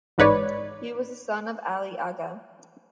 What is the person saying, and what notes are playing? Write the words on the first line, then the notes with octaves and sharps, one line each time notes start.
He was the son of Ali Aga.
A1 G#2 B4 C#5 D5